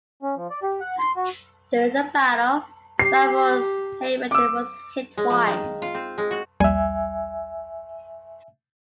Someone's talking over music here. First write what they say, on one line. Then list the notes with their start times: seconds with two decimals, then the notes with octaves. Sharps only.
During the battle, "Barbaros Hayreddin" was hit twice.
0.23 C#4
0.36 F3
0.50 D5
0.63 G4
0.81 F#5
0.99 C6
1.16 F#4
2.99 G4 C7
4.31 D6 E6
5.17 G#3
5.30 F3
5.47 D#3
5.82 F4
5.94 C4
6.18 G#3
6.31 F#4
6.60 A#1 D#2 G3 E5 G#5